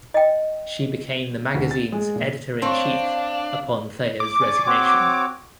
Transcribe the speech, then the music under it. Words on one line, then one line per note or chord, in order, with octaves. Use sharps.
She became the magazine's editor-in-chief upon Thayer's resignation.
D#5 G5
D2
A6
G#3
A#2
C4 D4 C#5 F5
D6
D5 G#5 C#6
C4 F#4 C#5